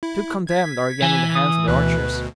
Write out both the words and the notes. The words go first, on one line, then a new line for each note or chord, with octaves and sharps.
The two condemned are again in the hands of the archers.
E4
G#6 B6
E3 G#5
D#6
D2 B2 B4